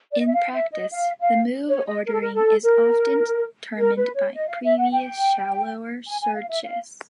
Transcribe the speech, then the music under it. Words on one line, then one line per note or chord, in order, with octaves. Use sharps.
In practice, the move ordering is often determined by previous shallower searches.
D5
D#5
E5
F5
E5
D#5
F5
F5
C#5
D#5
A#4
A4
A#4
A4
A#4
A#4
B4
C#5
D#5
F5
E5
F#5
G5
G#5
G#5
F5
E5
F5